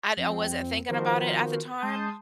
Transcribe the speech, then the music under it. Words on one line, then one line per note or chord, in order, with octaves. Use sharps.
I'd I wasn't thinking about it at the time.
F2 C4
D#3 F3 B3 F#4 A#4 C5
G#3 A5 C6 D#6 G6